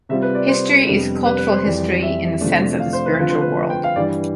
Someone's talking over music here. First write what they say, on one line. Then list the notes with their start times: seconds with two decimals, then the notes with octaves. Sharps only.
History is cultural history in the sense of the spiritual world.
0.09 C3 G3 C4 F4 E5
0.22 B4
0.35 D5
0.49 C5
0.87 F2 C3 G3 B3 D4
1.26 B4
1.38 B4
1.52 C5
1.64 F2 E3 G3 D5
2.02 E5
2.41 C3 F3 A3 D4
2.79 F5
2.93 C5
3.06 B4
3.19 D3 F3 C4 F4 B4
3.30 C5
3.41 B4
3.70 G5
3.84 F5
3.96 G2 E3 G3 D5